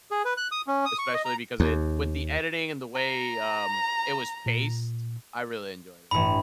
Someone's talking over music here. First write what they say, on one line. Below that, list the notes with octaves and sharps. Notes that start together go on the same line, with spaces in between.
Especially because it with the editing and the way, um, it was paced, I really enjoyed it.
G#4
B4
F#6
D#6
C#4
D#6
C#6
D#5
A#5
D#2
A#5
A#2
A1 G2 B5